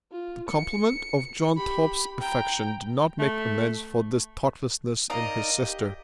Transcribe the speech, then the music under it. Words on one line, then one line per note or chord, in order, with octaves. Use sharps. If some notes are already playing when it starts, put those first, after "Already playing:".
The compliment of John Thorpe's affection did not make amends for this thoughtlessness in his sister.
F4
C#7
G4 B5
G5 A#5
A3
D#4 A#4 D5 D#5 F5 A#5 D#6
G4